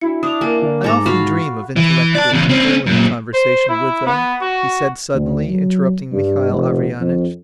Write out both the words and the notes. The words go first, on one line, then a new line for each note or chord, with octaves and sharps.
"I often dream of intellectual people and conversation with them," he said suddenly, interrupting Mihail Averyanitch.
D4 E4 F#4 C#7
D4 D#6 F7
A#3 A#4 G#5
D3
G#2 A4 G#5 A#5 D6
F#4 F5 B5 C#6
E3
D5 A5
E2 C#3
C4 C#4
F#2 A#2
C5
E4
B3
F#4
D2
F#3
G2
F1
F2